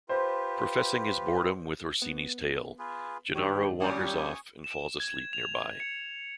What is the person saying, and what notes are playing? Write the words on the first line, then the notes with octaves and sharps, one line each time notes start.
Professing his boredom with Orsini's tale Gennaro wanders off and falls asleep nearby.
F4 G4 B4 C5
B3
F4 G#4 B4
G#2 D#3 D4 G4 C#5
A#2 G3 C#4 G4 G#5 C#6 D#6
E7
G#6
F7
C#7